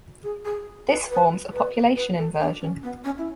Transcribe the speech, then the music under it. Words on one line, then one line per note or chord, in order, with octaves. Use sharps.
This forms a population inversion.
G#4
G#4
B4
B4
B4
B4
A4
D4
C#4
B3
C#4
E4